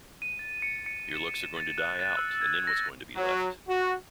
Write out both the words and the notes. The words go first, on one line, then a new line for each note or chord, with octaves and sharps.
Your looks are going to die out, and then what's going to be left?
D#7
A6
C#7
C#7
E7
D#7
A6
F#6
A6
E6
G#6
A#6
F#3
F#4